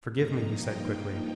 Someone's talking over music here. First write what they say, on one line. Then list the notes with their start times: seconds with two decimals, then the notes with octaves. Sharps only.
"Forgive me," he said quickly.
0.13 G2 F3 A#3 D#4 A#5
0.57 G5